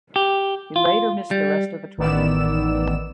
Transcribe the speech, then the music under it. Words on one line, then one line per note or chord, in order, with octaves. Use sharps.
He later missed the rest of the tournament.
G4
F4
G3
A1 D#3 B3 D5 E6 E7